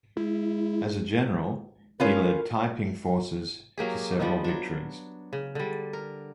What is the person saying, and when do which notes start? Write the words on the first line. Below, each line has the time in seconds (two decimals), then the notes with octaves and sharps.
As a general, he led Taiping forces to several victories.
0.17 G#3 E4
2.00 C#4 F4 A#4 B4
3.78 F#3 A#3 G4 G#4
4.20 F3 G3 B3 D#4
4.44 F#3 D4
5.33 C#3
5.55 D3 G3
5.93 A#4